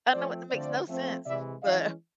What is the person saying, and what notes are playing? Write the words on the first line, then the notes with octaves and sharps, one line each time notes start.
I know it makes no sense, but
F3 A3 C4 C5 D5
D3 F3 A3 C4 C5 D5
F3 A3 C4
C3 E3 G#3 D5 E5
E3 G#3 C#4 D#5 F5